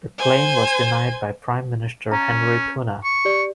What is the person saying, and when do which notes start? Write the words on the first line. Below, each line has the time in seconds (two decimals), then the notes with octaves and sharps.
The claim was denied by Prime Minister Henry Puna.
0.19 C5 G#5
2.12 C#4 A#5
3.04 C#6
3.25 G4 D5